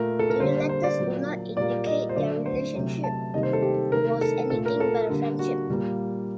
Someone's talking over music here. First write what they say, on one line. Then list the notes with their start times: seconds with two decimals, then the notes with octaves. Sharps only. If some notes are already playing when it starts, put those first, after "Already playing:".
Their letters do not indicate their relationship was anything but a friendship.
Already playing: A#2 A3 A#4
0.19 A4
0.30 A#4
0.40 D3 G3 A#3 C5
0.69 C5
0.84 D5
0.99 A#2 F#3 A#3
1.57 A#2 G3 A#3 D5
1.86 D#5
2.09 C5
2.16 D3 F#3 A3 D5
2.46 C5
2.74 C3 F#3 A3
3.04 A5
3.34 C3 D#3 G3 A#3 D#5
3.43 C5
3.53 A4
3.62 G4
3.92 C3 D#3 A3 A#4
4.21 A4
4.50 A#2 A3 A4
4.66 A#4
4.80 A4
5.10 D3 G3 A#3
5.39 F#4
5.69 A#2 G3 A#3